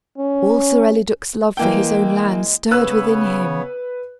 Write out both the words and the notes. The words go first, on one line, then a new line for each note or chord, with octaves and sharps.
All Sir Eliduc's love for his own land stirred within him.
C#4
E3 G#3 A#3 G5
C#3 B3 B4 C#5 E6 F#6